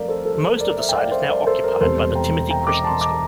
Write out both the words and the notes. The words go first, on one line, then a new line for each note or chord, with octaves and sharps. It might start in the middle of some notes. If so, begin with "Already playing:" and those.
Most of the site is now occupied by the Timothy Christian School.
Already playing: F2 A3 A#4 D5 F5
A4 C5
A4
A4
A#4
A#4 D5
C5 E5
G5
D5 F5
C5 E5
A#4 D5
A4 C5
A#4
A#4
E1 E2 C3 G3 A4 C5
G5 A#5
G5 A#5
A#5 D6
A5 C6
A#5 D6